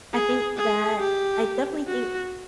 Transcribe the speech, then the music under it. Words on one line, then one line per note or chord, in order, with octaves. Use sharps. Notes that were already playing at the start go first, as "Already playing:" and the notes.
I think that I definitely think
G#4
G#4
G4
F#4